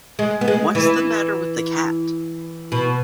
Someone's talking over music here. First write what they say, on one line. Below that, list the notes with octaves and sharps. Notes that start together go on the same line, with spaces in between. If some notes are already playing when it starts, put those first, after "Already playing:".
What's the matter with the cat?
G#3
B3
G#3
E3
B2